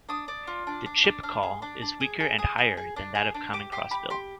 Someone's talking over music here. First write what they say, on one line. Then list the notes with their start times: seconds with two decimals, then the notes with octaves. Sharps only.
The "chip" call is weaker and higher than that of common crossbill.
0.09 D4 D#6
0.28 D4
0.47 F4
0.67 D4
0.86 D4
1.04 D4
1.23 D4 F6
1.43 G#4
1.62 D4
1.82 D4
2.00 G#4
2.20 G#4
2.38 G#4 D#6
2.58 G#4
2.77 G#4
2.96 D4
3.15 G#4
3.34 D4
3.53 G4 D6
3.72 G4 C6
3.91 G4 B5
4.10 G4 C6